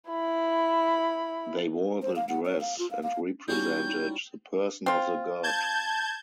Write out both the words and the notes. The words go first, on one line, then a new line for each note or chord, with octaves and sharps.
They wore the dress and represented the person of the god.
E4 B5
C5
F5
F#5
C#5
F5
F4
F5
F5
G3 C#4 D#4 E4 F#4 G6
C4 F4
A5 G6 G#6